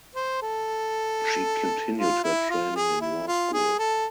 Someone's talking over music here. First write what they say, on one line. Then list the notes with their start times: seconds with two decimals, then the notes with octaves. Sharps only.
She continued her training in law school.
0.15 C5
0.42 A4
1.98 F4
2.24 E4
2.50 F4
2.76 G#4
3.01 E4
3.27 F4
3.53 G#4
3.79 A4